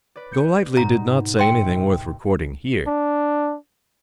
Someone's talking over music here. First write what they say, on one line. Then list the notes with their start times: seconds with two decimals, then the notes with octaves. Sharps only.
Golightly did not say anything worth recording here.
0.16 B4 D5
0.32 G6 C#7
0.77 G#2 B2 D#4 A#5
1.39 D#2 E5 G5 C6 E6
2.88 D4